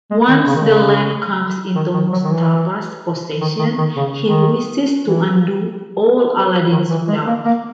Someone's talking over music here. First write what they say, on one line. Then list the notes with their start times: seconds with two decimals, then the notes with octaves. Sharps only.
Once the lamp comes into Mustappa's possession, he wishes to undo all Aladdin's wealth.
0.11 G#3
0.28 D#3
0.47 C#3
0.55 D#3
0.63 C#3
1.75 D#3
1.94 D#3
2.12 F#3
2.24 D#3
2.31 E3
3.41 D#3
3.59 D#3
3.78 D#3
3.96 C#3
4.24 D#3
5.06 E3
6.71 D#3
6.90 E3
7.08 G#3
7.27 A#3
7.45 A#3